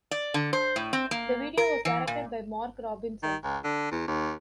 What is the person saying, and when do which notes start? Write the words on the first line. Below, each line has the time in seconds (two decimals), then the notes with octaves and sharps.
The video was directed by Mark Robinson.
0.11 D5
0.34 D3
0.53 C5
0.76 A2
0.93 C4
1.11 A#3
1.57 A#4
1.85 E3
2.07 A#2
3.23 D#3
3.44 C#2
3.64 D3
3.92 E2
4.08 D#2